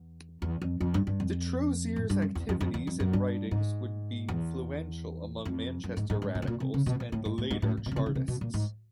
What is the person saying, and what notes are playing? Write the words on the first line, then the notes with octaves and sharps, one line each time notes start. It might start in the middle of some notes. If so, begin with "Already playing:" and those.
Detrosier's activities and writings would be influential amongst Manchester Radicals and the later Chartists.
Already playing: E2
E2
F2
F2
G2
G2
F2
A2
G2
F#2
E2
F2
F2
E2
F2
F#2
G2
G#2
E2
F2
F#2
G#2
G#2
G#2
A2
B2
A#2
C3
C#3
B2
A#2
A2
G#2
A2
G#2
A2
A#2
B2
C#3
C3
C#3
C3
B2
A#2
G#2